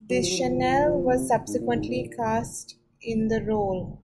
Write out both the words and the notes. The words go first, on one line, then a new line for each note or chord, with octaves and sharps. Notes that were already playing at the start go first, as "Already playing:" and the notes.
Deschanel was subsequently cast in the role.
F#3
F3
F#3
F3
F3
C3
G#2
A#2
G#2
A#2